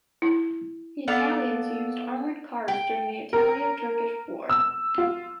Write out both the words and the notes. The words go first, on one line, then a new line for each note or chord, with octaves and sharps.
The Italians used armored cars during the Italo-Turkish War.
E4
B3 A4 D5 F5
G5
A#4
E6
F4